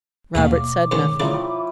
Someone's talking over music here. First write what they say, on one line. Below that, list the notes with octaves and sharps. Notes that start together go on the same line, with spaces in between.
Robert said nothing.
D#2 B2 A#3 G#4 C#5 E5 F5
B2 D6
G#2 D#3 C#4
C#3 F3 A#3 E4 D5
C#5 G5 B5